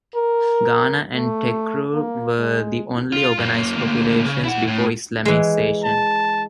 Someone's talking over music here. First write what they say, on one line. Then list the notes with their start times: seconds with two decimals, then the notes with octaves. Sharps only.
Ghana and Tekrur were the only organized populations before Islamization.
0.15 A#4
1.14 A3
1.93 A#3
2.38 G#3
3.13 F4
3.38 F#2 A#3
3.76 D2 A#3
4.25 C#3
4.44 E4 F#5
4.67 A2
5.25 E3 G#3
5.84 A5